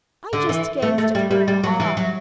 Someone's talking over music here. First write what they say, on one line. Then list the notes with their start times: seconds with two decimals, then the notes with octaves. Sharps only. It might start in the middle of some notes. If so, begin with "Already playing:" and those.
I just gazed at her in awe.
0.33 D3
0.49 E3
0.82 A3
0.98 A3
1.15 G3
1.31 G3
1.48 G3
1.64 F#3
1.80 E3
1.97 F#3